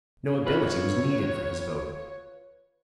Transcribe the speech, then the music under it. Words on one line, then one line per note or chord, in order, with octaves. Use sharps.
No ability was needed for his vote.
F4 B4 C#5